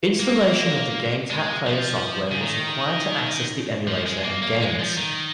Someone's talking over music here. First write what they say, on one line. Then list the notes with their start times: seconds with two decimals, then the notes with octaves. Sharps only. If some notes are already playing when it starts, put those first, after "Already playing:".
Installation of the GameTap Player software was required to access the emulator and games.
0.20 A#3
1.30 G#3
1.67 F3
2.31 C#3
2.40 D#3
3.88 F3
4.06 G#3
4.24 A#3
4.42 A#3
4.61 G#3
4.79 F3
4.97 D#3